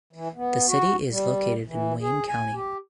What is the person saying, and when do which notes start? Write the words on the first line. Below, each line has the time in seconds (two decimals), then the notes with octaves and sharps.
The city is located in Wayne County.
0.13 E3
0.35 B3
0.68 F#4
1.10 G3
1.66 E3
2.01 G#4
2.29 G#5
2.53 G4